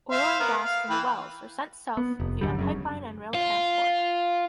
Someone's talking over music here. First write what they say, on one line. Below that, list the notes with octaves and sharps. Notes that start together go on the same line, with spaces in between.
Oil and gas from the wells are sent South via pipeline and rail transport.
C5 E5 F5
B3 A#4 F6
F5
E3 B4 G5
B3
F1
D1 F#2 D3 G3
F#1 F#2 C#3
F4